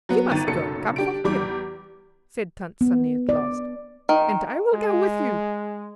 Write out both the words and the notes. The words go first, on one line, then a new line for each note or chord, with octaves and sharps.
You must go and comfort him," said Tant Sannie at last, "and I will go with you.
F#3 B3
G1 D#3 G5 A6 D#7
F#1 B1 A4 C#7
D4 G4 D7
E2 G3 D6
B3
D5
D#3
G#3